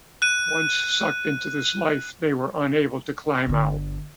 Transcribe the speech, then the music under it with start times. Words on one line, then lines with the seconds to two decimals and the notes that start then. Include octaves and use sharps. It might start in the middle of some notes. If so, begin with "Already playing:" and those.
Once sucked into this life they were unable to climb out.
0.22 F#6 D#7
3.46 G1 D3